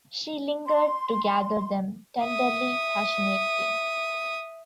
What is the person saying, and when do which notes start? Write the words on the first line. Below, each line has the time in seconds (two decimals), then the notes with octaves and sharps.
She lingered to gather them, tenderly, passionately.
0.65 C6
2.20 E5 D#6